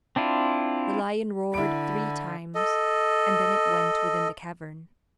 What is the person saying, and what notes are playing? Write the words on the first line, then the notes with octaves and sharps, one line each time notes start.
The lion roared three times, and then it went within the cavern.
C4 D4 E4 F4
D3 E4 B5 D7
A4 D#5